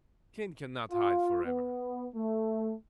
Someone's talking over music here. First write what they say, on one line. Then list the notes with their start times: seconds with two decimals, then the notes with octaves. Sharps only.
Kane can not hide forever.
0.91 F4
1.44 B3
2.14 A3